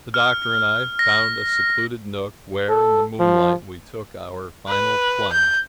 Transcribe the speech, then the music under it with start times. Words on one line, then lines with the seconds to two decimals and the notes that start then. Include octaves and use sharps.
The Doctor and I found a secluded nook, where in the moonlight we took our final plunge.
0.14 F6
0.99 A#6
2.69 A4
3.20 F3
4.68 B4
5.33 G6